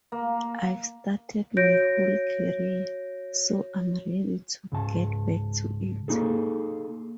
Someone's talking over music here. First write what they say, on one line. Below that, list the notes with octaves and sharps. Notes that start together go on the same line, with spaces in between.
I've started my whole career so I'm ready to get back to it.
A#3
F#4 C#5 G6 A#6 D7
C#2 G#2 A5
A#3 D#4 G#4 A4